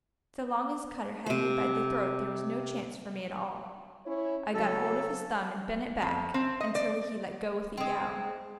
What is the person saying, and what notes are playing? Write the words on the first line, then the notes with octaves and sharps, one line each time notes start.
So long as Cutter had me by the throat, there was no chance for me at all. I got hold of his thumb and bent it back, until he let go with a yell.
C3 C5
C#4 E4 C#5
C#3 F#3 A4
F2
C4
D#5
D5
G#3 C4